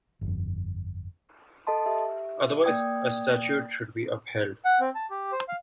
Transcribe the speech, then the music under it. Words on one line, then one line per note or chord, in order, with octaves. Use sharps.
Otherwise, a statute should be upheld.
G1 F2
A4 D#5 A5 C6
G4 E5
A#3 D5 G5 D#6 G#6
F#5
C4
A5
G4
C5
F5